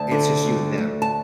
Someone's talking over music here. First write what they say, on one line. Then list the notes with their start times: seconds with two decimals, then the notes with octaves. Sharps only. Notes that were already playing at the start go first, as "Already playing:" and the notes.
it's just you and them,
Already playing: D2 A5
0.11 D3
0.45 D2
0.78 D2
1.02 A5